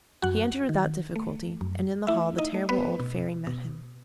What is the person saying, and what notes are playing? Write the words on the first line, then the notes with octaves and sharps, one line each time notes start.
He entered without difficulty, and in the hall the terrible old Fairy met him.
F#2 F#4 F#5
D#3
A3
F#2
A3 E4 E5
D#4 D#5
A3
B3 B4
B2
B2